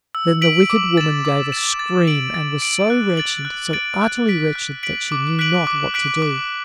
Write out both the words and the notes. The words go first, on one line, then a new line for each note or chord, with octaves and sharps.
Then the wicked woman gave a scream, and was so wretched, so utterly wretched, that she knew not what to do.
E6
B6 D7 F#7
D6
A6 E7
D6
A6 E7
A6
D7 F#7
A6
D7 F#7
F#6
A6 D7 F#7
F#6
A6 D7 F#7
F#6
B6 D7 F#7
F#6
B6 D7 F#7
D6
F#6 B6 D7 F#7
D6
F#6 B6 D7 F#7
D6